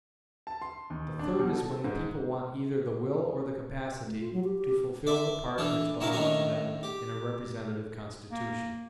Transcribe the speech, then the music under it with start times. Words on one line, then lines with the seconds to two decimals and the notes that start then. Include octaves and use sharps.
The third is when the people want either the will or the capacity to fulfill the part which belongs to them in a representative constitution.
0.47 A5
0.62 C6
0.90 D#2
1.19 D4
1.39 B2
1.52 A4
1.84 G#2
4.06 A3
4.21 F4
4.33 F#3
4.44 G4
4.58 G4
5.07 D5 E5 D6
5.58 E3 D4 A4
6.00 G2 C3 E4 F#4 A#4 A5
6.12 A2 D#3 C#4 D4 G#5 A#5
6.83 G4
8.31 A#3